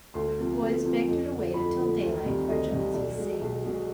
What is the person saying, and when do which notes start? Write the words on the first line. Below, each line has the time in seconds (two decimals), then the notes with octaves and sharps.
But the boys begged her to wait until daylight for Jonesy's sake.
0.14 D2 C6
0.38 C3 F3
0.61 D2
0.84 C3 F3
1.08 F2
1.32 D3 F3
1.54 F2 B5
1.78 D3 F3
2.02 D2
2.24 C3 D#3 G3
2.48 D2 D#5
2.71 C3 D#3 G3
2.94 B1 D5
3.17 B2 G#3
3.41 B1
3.65 B2 G#3